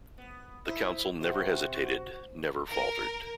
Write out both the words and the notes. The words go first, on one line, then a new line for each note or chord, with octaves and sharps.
The Council never hesitated, never faltered.
B3
D#4 E4 C5
C3 F#4 C5
A#4